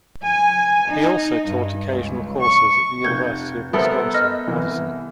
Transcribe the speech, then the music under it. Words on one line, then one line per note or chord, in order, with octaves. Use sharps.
He also taught occasional courses at the University of Wisconsin-Madison.
G#5
D#4
G2
C#2
C#6
F1 G6 G#6
B3 A4 A#4 C5 E5
D#5 F6 A#6
C2 E3